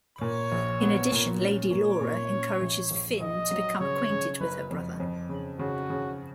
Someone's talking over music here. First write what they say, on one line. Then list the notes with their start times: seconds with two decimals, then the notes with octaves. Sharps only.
In addition, Lady Laura encourages Finn to become acquainted with her brother.
0.21 A#2 C#5
0.52 A#1
0.82 B3
1.12 A#2
1.42 C#4
1.71 A#2 C#5
2.01 A#2
2.31 C#4
2.61 A#1
2.91 A#1
3.20 A#1 D#5
3.50 F#3
3.80 C#3 C#5
4.10 C#3
4.40 F#1 B4
4.71 F2
5.00 F2
5.29 C#3
5.59 C#3 F#4
5.90 C#3